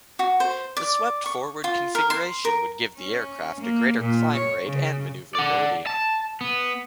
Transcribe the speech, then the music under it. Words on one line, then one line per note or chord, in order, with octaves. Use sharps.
The swept-forward configuration would give the aircraft a greater climb rate and maneuverability.
F#4
C5
D5
C#6
F4
A#4
C6
A#4
C#4
A#3
A#2
C#5
C#3
D5 F#5
A5
B3